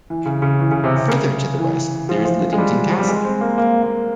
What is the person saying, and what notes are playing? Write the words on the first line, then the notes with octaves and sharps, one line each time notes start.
Further to the West, there is Liddington Castle.
E3
C#3
C#3
E3
C#3
C3
C3
C#3
E3
F3
E3
F3
G#3
G3
F3
G3
G#3
C4
A#3
A#3
A#3